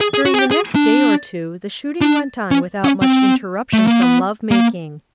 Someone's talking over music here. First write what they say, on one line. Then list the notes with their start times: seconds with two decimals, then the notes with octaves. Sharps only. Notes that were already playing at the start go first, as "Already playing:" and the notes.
During the next day or two the shooting went on without much interruption from love-making.
0.01 G#4
0.14 G#4
0.25 F#4
0.34 G#4
0.39 G4
0.51 G#4
0.75 D4
2.01 D4
2.51 C#4
2.84 C#4
3.02 C4
3.73 A3
3.87 A#3
4.01 B3
4.51 A#3